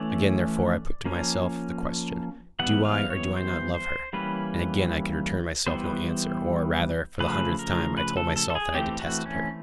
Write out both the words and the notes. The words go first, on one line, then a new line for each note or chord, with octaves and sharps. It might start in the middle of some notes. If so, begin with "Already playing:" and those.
Again, therefore, I put to myself the question: "Do I, or do I not love her?" and again I could return myself no answer or, rather, for the hundredth time I told myself that I detested her.
Already playing: E3 A3 C#4 D5
F3 A#3 C#4
E3 G3 B3 F#5
F5
C#5
C5
C5
E3 G3 A#3 C#4 B4
E3 G3 B3 C5
C#3 F3 A3 B4
A#4
B4
A4
A4
A4
G#4
E3 A3 C4 G4
F#4
C#4